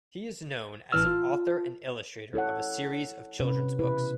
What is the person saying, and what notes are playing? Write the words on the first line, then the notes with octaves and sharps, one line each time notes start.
He is known as an author and illustrator of a series of children's books.
A1 E3 A5 E6 F6
F4
E4 A4 C#5 F#5
C3 C#4 B4
B2 E4 B4